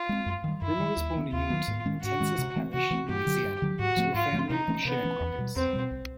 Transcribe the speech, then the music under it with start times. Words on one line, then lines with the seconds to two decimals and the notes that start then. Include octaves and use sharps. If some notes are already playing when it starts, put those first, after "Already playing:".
Brimmer was born in Newellton in Tensas Parish, Louisiana, to a family of sharecroppers.
Already playing: F4
0.09 G#3 C4
0.26 F#2
0.44 D#3 G3
0.62 F#2 E4
0.79 D#3 G3
0.97 D#2
1.15 D#3 F#3 B3
1.32 D#2 F4
1.50 D#3 F#3 B3
1.68 G#2
1.86 D#3 G#3 C#4
2.02 G#2 F#4
2.20 D#3 G#3 C#4
2.38 C3
2.56 E3 A3 C4
2.73 C3 F#4
2.91 E3 A3 C4
3.09 G2 G4
3.27 D3 F#3
3.44 G2
3.62 D3 F#3
3.79 G#2 F#4
3.97 F3 A3 C4
4.14 G#2 F4
4.33 F3 A3 C4
4.50 C3 D#4
4.68 E3 A3 C#4
4.85 C3 B3
5.03 E3 A3 C#4
5.20 E2
5.38 B2 G3
5.56 E2 C4
5.73 B2 G3
5.91 C2